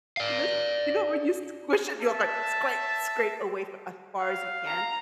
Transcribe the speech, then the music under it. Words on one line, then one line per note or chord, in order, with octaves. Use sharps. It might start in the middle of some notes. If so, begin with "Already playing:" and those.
You know you know when you squish it, you're like, "Scrape, scrape away," for as far as you can?
D5 F5
E5 A5
F5
A#5